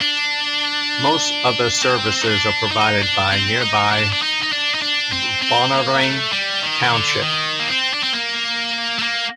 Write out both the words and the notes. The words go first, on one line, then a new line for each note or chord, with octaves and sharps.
Most other services are provided by nearby Balnarring township.
D4
C4
D#4
D4
D#4
D4
C4
D#4
D4
D4
D#4
D#4
D4
D#4
D4
C4
C4
A#3
A3
G3
D#3
D#3
D3
D#3
A#3
C4
D4
C4
A#3
A3
A#3